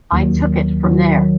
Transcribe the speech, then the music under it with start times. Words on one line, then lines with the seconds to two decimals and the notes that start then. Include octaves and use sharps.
I took it from there.
0.12 D#2 D#3 F#3
0.84 D#2 D#3 F#3